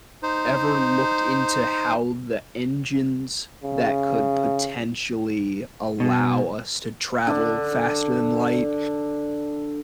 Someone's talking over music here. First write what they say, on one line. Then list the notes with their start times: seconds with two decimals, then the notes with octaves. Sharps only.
ever looked into how the engines that could potentially allow us to travel faster than light
0.23 D#4 C5
3.64 C#3
6.00 B2
7.27 D3 D4